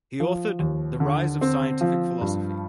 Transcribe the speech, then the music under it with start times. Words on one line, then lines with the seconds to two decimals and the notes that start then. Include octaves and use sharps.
He authored "The Rise of Scientific Philosophy".
0.20 F3
0.59 D#2
1.00 D3
1.41 C4
1.81 F3
2.21 G2